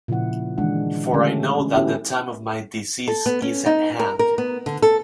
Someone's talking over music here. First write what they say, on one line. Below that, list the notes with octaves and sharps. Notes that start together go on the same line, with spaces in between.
For I know that the time of my decease is at hand.
A#2 C#3 F3 E4 F#5
D#3 E3 G#3 D4 F#5
D3 G#3 A3 C#4 G4 A4
C#4
B3 C#4 E4 F#4 G4 A4
A4
B3
C#4
D#4
A#4
A#4
B3
D3
A4